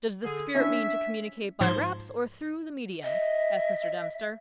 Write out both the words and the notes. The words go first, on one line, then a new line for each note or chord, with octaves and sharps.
"Does the spirit mean to communicate by raps or through the medium?" asked Mr. Dempster.
D3 G#4
C#4 D4 E4 E5
G#2 F3 C5 C6 G#6
D#5 E5